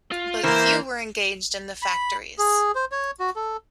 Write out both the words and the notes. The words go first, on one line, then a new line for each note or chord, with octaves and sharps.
But few were engaged in the factories.
F4
E3 A#3 A#4 C5 E5
B5
G#4
C5
C#5
F#4
A4